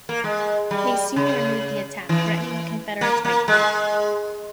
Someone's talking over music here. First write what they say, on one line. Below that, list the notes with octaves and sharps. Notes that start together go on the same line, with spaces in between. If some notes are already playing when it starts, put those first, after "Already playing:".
They soon renewed the attack, threatening the Confederate's right flank.
A#3
G#3
G3
C#3
E3
A#3
A#3
G#3